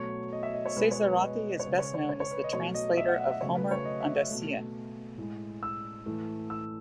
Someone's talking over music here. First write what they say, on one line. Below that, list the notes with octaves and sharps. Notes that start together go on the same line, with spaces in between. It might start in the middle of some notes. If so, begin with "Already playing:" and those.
Cesarotti is best known as the translator of Homer and Ossian.
Already playing: B2 F#3 A3 C#5
D#5
E5
D#5
C#5
B2 G#3 B4
C#5
B4
D#5
C#5
C#3 G#3 B4
C#5
C#5
C#5
C#5
B4
D#5
B2 F#3 A3 C#5
D#5
E5
F#5
F#5
E5
C#3 F#3 A3 C#5
B4
C#5
D#5
E5
E5
B2 A3
A2 G#3
E6
A2 E3 A3
E6